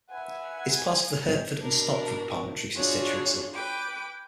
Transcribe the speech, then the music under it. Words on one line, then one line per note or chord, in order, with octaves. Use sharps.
It is part of the Hertford and Stortford Parliamentary Constituency.
B4 E5 F#5 G#5
B2 D4 A#4
D4 F4 F#4 G#4 C#5
B4 G5 D6